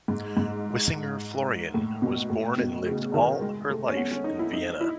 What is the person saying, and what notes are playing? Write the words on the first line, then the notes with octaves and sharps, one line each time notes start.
Wisinger-Florian was born and lived all her life in Vienna.
G#2
G#2
A2
B2
A2
B2
C#3
D#3
G#3
A3
C#4
B3
C#4
D#4
E4
D#4
E4